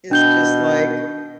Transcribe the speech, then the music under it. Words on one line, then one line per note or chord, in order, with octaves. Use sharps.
it's just, like
B2 D4 G6 G7